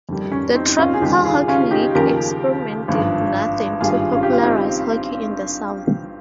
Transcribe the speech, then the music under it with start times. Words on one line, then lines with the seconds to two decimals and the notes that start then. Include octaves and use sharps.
The Tropical Hockey League experiment did nothing to popularize hockey in the South.
0.09 F2 D#3 G3
0.32 C#4
0.55 C4 D#4
0.69 D#4
0.78 C#4 F4
0.94 G#4
1.01 D#2 C#3 G3 D#4 G4
1.25 F4 G#4
1.48 C#4 F4
1.71 D#4 G4
1.95 D#2 C#3 F3 G4 A#4
2.88 G#1 G2 F3
3.81 G#1 G2 G3 F4 G#4
4.12 C#4 F4
4.23 G4
4.33 F4
4.43 C4 D#4